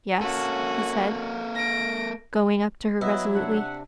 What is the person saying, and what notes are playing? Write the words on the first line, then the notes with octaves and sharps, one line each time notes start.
"Yes," he said, going up to her resolutely.
A#3 C#4 F#4 A4
A#6 D7
F#3 B3 E4 B4 D#5
C3 D4 E5 F#5